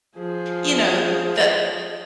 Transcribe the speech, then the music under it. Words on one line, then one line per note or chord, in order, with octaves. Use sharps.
you know, that
F3 G#4